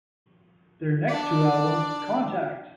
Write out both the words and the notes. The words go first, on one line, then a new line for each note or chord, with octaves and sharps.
Their next two albums, Contact!
D4 D5